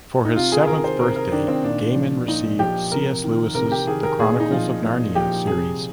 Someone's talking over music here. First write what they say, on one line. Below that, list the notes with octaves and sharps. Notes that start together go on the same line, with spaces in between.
For his seventh birthday, Gaiman received C. S. Lewis's "The Chronicles of Narnia" series.
D#4
C3 F4
G#4
D#3 A#4
C5
C3 A#4
A#4
D#3 D4
C4
A#2 D4
F3
A#2 D#4
F3 G4
C3 A#4
D#3
C3 A#4
G4
D#3 G#4
A#4
A#2 G#4
D#4
F3 F4
A#2
F3 G4
C3 G#4